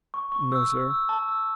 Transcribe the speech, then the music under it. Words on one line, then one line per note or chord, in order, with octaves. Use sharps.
"No, sir."
C#6
C#6
E6
E6
E6
A5
E6